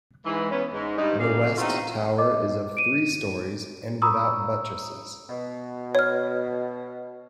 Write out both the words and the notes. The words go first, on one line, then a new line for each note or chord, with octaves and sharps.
The west tower is of three storeys and without buttresses.
G#2 E3
B3 C#4
G#2
G2 D#4
F#2 A2 C#3 A#3 D5 F5
E2 C4 D#4 F4 F#4 E5
D#5 D6
D7 D#7
A#5 B5 C#6 D#6 E6
B2
C#5 F6